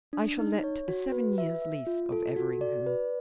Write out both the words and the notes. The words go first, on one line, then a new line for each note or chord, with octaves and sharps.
I shall let a seven years' lease of Everingham.
D4
D#4
C#5
F#4
B4
E5
E5
F4
A4
F#4
D5
B4